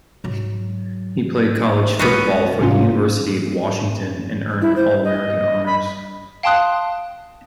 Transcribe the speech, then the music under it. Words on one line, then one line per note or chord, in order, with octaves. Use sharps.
He played college football for the University of Washington, and earned All-American honors.
G#2 F#3
B1 G#3 B3 C#4 F#4
G#2 C3 C#4 F4
E4
C5
D#5
B5
F5 G5 A5 C6 D#6 F#6